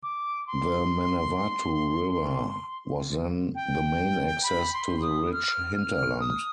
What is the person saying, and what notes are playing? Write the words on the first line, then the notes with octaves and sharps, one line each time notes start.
The Manawatu River was then the main access to the rich hinterland.
D6
C6
G5
B5
C6
D#6
F6
F6
D#6